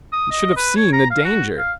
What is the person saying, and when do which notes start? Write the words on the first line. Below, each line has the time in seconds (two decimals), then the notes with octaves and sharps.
"You should have seen the danger."
0.13 D#6
0.31 D#5
0.56 B4
0.76 C#5
0.93 A#5
1.11 F5
1.25 F#4
1.58 F5